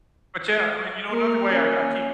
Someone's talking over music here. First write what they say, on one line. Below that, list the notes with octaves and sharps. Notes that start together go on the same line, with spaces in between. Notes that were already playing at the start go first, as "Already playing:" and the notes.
But, yeah, I mean, you know, another way I I keep
A#3 A#4
C#4